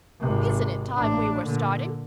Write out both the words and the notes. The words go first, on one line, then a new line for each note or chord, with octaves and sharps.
"Isn't it time we were starting?"
G#1 C3
A1 D4
A#2 D3